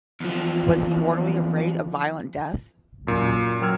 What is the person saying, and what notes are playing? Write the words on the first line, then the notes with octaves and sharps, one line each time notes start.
Was he mortally afraid of violent death?
E2 F3
F#2 A#2
F#3 A#4 G5 E6 F6 G#6